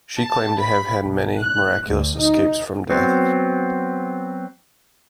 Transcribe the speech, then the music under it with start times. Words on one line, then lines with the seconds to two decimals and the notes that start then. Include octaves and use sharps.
She claimed to have had many miraculous escapes from death.
0.19 A5
0.58 B5
1.02 B1
1.41 F#6
1.87 D2
2.17 D#4
2.90 F#3 B3 C4